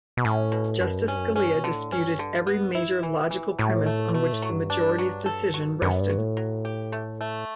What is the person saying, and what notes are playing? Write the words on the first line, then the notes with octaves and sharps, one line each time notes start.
Justice Scalia disputed every major logical premise on which the majority's decision rested.
B2
A2 C#4
B2
F#2 B2
G2
C#4
F#2
G2 C#4
B2
D3
A2
G2 C#4
D3
B3
E4
B2 E3
E3
A2 F#3
A3
B2 A3
A2
F#3
G2
D4
F#3
A4
F#3
F#2 B3
G2
F#3
A2
F#3
G4
A3
A3